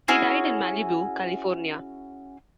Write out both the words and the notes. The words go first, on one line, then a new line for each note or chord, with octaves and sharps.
He died in Malibu, California.
C#4 E4 F#4 G#4